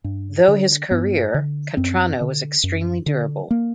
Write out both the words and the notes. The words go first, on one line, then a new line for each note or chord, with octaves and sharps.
Though his career, Cattrano was extremely durable.
G2
D3
G2 B3
D3
F#2 C4
D3
F#2
D3
A#3